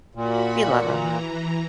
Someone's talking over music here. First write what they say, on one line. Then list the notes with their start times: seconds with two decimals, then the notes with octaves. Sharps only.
We love 'em.
0.15 A#2 F#4 F#5 B5
0.75 E3 A#5